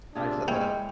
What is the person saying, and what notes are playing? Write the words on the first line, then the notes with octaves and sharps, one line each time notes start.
I just have to
C3 D4 F4 G#4
G#3 A#3 E4 C#5 G5